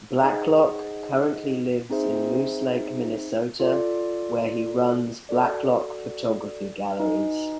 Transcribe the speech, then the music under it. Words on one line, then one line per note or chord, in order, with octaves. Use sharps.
Blacklock currently lives in Moose Lake, Minnesota, where he runs Blacklock Photography Galleries.
D#4 G#4 C5 D#5 F#5
C4 D#4 G#4 C5 E5
F4 A4 D5
F#4 A4 D5
D#4 F#4 B4 D#5 G#5